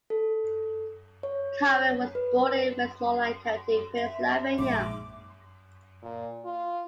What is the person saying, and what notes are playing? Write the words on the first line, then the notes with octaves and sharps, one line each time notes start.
Cowan was born in Westmoreland County, Pennsylvania.
A4
C#5
B4
E5
A#1 G#2 D6
A#2
F4